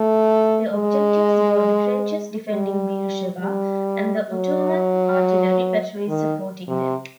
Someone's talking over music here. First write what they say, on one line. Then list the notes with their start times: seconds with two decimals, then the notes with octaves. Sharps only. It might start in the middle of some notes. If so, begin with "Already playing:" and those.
Their objectives were the trenches defending Beersheba and the Ottoman artillery batteries supporting them.
Already playing: A3
0.74 G#3
2.52 G3
3.41 G3
4.30 F#3
6.09 D#3
6.68 C3